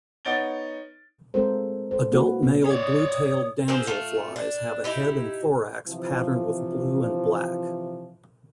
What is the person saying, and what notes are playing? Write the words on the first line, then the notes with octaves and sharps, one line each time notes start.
Adult male blue-tailed damselflies have a head and thorax patterned with blue and black.
B3 D#4 C#5 A6 D7 G7
G#3 C4 F4 A4 A#4 C5
A4 C5
A#3 E4 F#4 B4
B2 B3
C#5 D5 D#6
A#3 C4 G4 G#4
A3 F4
D4
D#4 E4 G4
C3 E3 F3